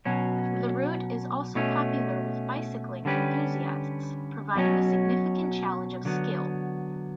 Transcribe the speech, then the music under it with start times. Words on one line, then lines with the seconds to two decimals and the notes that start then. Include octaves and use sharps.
The route is also popular with bicycling enthusiasts, providing a significant challenge of skill.
0.05 B2 F#3 C#4
1.55 B2 A3 C#4
3.05 D3 G3 C#4 G4 B4
4.55 B1 B2 F#3 C#4
6.05 D3 F#3 B3